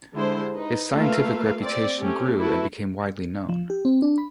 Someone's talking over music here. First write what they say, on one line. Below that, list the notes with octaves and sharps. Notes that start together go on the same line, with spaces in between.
His scientific reputation grew and became widely known.
D3 G#3 E4 G4 C5
D#4 B4
A3 A#3 F4 B4 E5 F5
C4 D5
A3 C4 C#4 G4
E4 F#4 A4 B4
F3
G4
C4
D4
B5